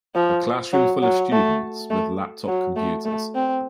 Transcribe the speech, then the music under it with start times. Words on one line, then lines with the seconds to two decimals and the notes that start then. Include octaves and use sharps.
A classroom full of students with laptop computers.
0.15 F3
0.73 F#3
1.02 F#3
1.32 A3
1.90 A3
2.48 F#3
2.76 A3
3.05 A3
3.35 C4